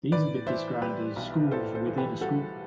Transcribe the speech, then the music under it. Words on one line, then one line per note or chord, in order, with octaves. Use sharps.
These have been described as 'schools within a school'.
A2 B4 D5
E3 C5 E5
G3 G4 B4
B1
A2 A4 C5
A4 C5
E3
G4 B4
G3 F#4 A4